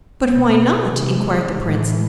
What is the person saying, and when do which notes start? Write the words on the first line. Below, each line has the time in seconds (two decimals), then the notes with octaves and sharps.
"But why not?" inquired the prince.
0.23 B2 B3
0.91 C3 E3 G#3
1.61 A2 E3 G#3